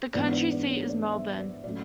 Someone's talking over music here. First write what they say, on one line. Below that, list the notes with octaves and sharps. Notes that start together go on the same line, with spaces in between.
The county seat is Melbourne.
G#2 E3 B3 D4 D5
D5
D5
C#5
D5
E5
D5
A2 F#3 A3 C#4 D5